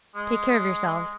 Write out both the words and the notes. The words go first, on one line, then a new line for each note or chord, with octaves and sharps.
Take care of yourselves.
G#3